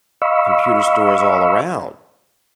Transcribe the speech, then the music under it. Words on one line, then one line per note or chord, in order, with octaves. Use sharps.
computer stores all around
D#5 F5 B5 C#6 E6